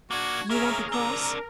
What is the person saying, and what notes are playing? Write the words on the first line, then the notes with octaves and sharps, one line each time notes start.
"You won't be cross?"
A#3 D4 F#4 G#6
A#3 C#4 G#4 A#4 E5 A#5 F6
C4 D4 A#4 A#5